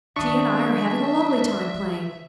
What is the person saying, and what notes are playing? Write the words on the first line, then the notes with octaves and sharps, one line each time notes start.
"She and I are having a lovely time playing."
D#3 F#3 D4 E5 C#6 D#6